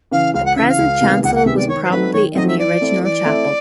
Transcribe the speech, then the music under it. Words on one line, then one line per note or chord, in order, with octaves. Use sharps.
The present chancel was probably in the original chapel.
C#3 E3 F5
C#2 F5
F#5
C#3 E3 E5
F5
C#2
C3 D#3 G#3 B3
C#2 F#5
F#5
C3 D#3 G#3 B3 E5
D5
D#3 C#5
C5
F#3 A3 C4 D#4 B4
D#3 C#5
F#3 A3 C4 D#4 D#5
E5
E3 D5
A3 C4 E4
E3 D5
A3 C4 E4